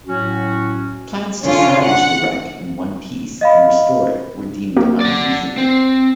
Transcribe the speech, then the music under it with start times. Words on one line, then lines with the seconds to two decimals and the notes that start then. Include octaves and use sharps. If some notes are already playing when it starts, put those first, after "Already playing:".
Plans to salvage the wreck in one piece and restore it were deemed unfeasible.
0.07 A2 F#3 C#4 F#4
1.42 D3 C#4 F4
1.83 F#5
3.41 D#5 F5 B5
4.77 A#3 F#4
5.01 D5 F#5
5.58 C4